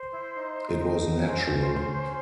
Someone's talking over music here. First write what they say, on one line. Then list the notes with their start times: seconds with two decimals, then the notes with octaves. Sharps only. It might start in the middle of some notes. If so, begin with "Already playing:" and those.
It was natural.
Already playing: C5
0.13 E4
0.36 D#4
1.18 C#5
1.27 C#4 C5